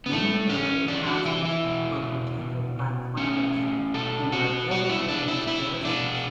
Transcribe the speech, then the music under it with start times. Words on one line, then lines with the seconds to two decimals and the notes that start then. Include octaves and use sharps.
Many early houses were protected by flankers, and were designated as garrisons.
0.06 B3
0.11 A2 A3
0.49 A2 C#4
0.88 E3 D4
1.07 F#4
1.25 E3 E4
1.45 E4
1.64 B2
2.03 B2
2.40 B2
2.79 B2
3.17 A2 C#4
3.55 A2
3.94 B2 A4
4.32 B2 F#4
4.71 B2 F#4
4.89 E4
5.08 B2 D4
5.28 E4
5.47 B2 E4
5.85 B2 D4